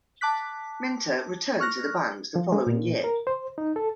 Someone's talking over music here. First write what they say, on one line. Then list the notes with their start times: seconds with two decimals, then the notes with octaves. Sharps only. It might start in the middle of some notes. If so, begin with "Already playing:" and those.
Minter returned to the band the following year.
0.21 A5 D6 F#6 B6
1.60 C#6 F6 F#6 A#6
2.36 F3
2.52 G#3
2.67 A#2
3.04 A#4
3.27 C5
3.58 D#4
3.76 A4